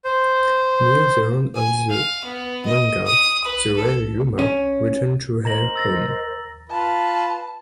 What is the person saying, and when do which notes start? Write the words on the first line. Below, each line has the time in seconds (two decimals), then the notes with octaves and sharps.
Near the end of the manga, the real Yuna returns to her home.
0.04 C5
1.56 G#5
1.90 F5
2.25 B3
2.66 D#5
3.07 D#6
3.44 B4
3.77 A4
4.39 C#4
5.45 A#4 C5 D#5 A#5 A#6 F#7
5.76 E6 A6 A#6
6.69 F4 B4 A5